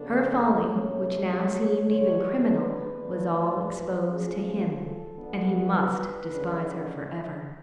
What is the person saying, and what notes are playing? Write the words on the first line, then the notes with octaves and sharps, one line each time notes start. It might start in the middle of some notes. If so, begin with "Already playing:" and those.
Her folly, which now seemed even criminal, was all exposed to him, and he must despise her forever.
Already playing: C#3 F3 B3 D4 A4
B2 A3 C#4 C#5
C#5
D3 G#3 D4 C#5
B4
F3 A3 D4
F3 A3 C#4 G#4
A4
F3 B3 D4
B4
D3 G#3 C#4